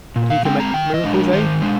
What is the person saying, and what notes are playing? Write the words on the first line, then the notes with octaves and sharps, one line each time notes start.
That he can make miracles, eh?
A#2
F5
G#3 C4 G5
A#5
D#3 G5
D#5
G#3 D4
A#4
D#3 C5
G#3 D4